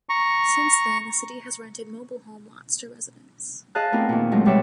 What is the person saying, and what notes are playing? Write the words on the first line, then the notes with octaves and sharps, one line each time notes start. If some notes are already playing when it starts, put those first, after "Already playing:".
Since then the city has rented mobile home lots to residents.
A#5 C#6
G#4 D#5 F5 A5 F#6
A3 B3 C4 E4 G4 A#4
A#2 D#3
F#3 G#3 A3 C4
B2 G3 G4 B4 C#5 E5